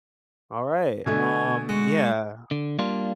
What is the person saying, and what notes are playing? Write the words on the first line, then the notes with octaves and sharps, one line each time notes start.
Alright, um, yeah.
B2 D3 A3 G#5
G#3 F#4
D3
G3 A#3 D4 F4